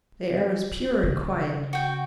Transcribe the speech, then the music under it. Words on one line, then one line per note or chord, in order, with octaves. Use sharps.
The air was pure and quiet.
C#3
F#4 G5